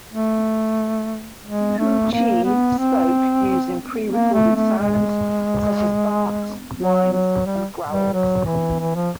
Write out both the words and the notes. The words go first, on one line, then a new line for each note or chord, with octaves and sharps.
Poo-Chi spoke using prerecorded sounds such as barks, whines, and growls.
A3
G#3
A3
A#3
B3
C4
A#3
A3
A3
G#3
F#3
F#3
G3
G3
F#3
E3
E3
F3